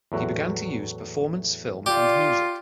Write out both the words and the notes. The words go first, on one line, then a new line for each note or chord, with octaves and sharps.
He began to use performance, film and music.
E2 A2 F#3
F4 G4 D5